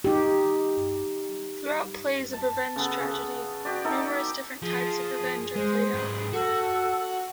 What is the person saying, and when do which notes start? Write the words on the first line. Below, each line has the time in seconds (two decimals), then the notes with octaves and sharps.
Throughout plays of Revenge Tragedy, numerous different types of revenge are played out.
0.04 D#4 G4
2.33 A5
2.76 C#3 B3 A4
3.00 C#3
3.65 F#4 G4 D5
3.85 D#4 A4 D5 G5
4.62 F3 G#4
5.56 G#3 C5
5.94 G#2 B4
6.33 F#4 A4 F#5